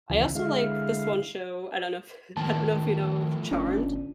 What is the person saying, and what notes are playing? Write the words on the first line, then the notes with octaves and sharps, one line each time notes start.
I also like this one show, I don't know if I don't know if you know of Charmed,
D2 C#3 E3 F3
D3 G#3 E4 F5
A2 D#3 F3 A5
G1 C#4 D4 F4